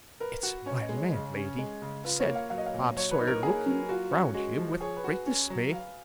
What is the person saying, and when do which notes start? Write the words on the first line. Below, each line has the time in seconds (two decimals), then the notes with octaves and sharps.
'It's my landlady,' said Bob Sawyer, looking round him with great dismay.
0.20 A#4 B4
0.43 F#4
0.66 C#4 C#5
0.81 D#5
0.89 G#3
0.97 C#5
1.13 C#3
1.36 C#4
1.58 G#3
1.82 C#3
2.04 F4 B4
2.20 C#5
2.27 A#3
2.35 F5
2.50 F#3 F5
2.58 D#5
2.66 F5
2.74 A#2
2.96 F#3 C#5
3.11 B4
3.20 D#4
3.27 A#4
3.43 A#3 G#4
3.66 F#3
3.89 F4 F#4
4.11 C#4
4.34 G#3 F#4
4.58 F3
4.81 G#4 C#5
4.97 B4
5.04 F#4
5.11 B4
5.26 C#4
5.50 F#3
5.73 F5